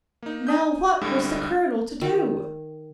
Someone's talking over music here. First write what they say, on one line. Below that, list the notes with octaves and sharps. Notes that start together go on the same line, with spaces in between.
Now what was the colonel to do?
A#3 D#4
G#5 D#6 G6
D2 A2 D3 G3 G#3
D#3